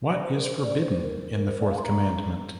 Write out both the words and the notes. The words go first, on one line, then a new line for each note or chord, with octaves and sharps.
What is forbidden in the fourth commandment?
D5
C5
A#4
C5
D5
C5
C5
A#4
A#4
C5
D5
E5
F5
C6
A#5